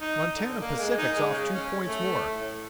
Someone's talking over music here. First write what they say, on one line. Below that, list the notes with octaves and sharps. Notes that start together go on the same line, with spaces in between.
Montana Pacific's off two points more.
D#4
D3
A#3
G#3
D#4
G#3
C#3
C#4
A3
A2